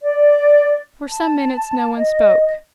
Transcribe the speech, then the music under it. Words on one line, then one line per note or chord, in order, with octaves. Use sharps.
For some minutes no one spoke.
D5
A5
D#5